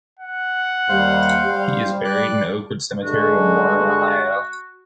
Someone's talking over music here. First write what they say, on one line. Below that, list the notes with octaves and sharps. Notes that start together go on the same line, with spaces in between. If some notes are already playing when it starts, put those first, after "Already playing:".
He is buried in Oakwood Cemetery in Warren, Ohio.
F#5
D#2 G3 C5 F5
G3
D5 F#6
G2 D3 G#3 F#4